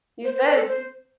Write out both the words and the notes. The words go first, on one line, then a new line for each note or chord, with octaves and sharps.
you said,
C5
C5
B4
A4
C5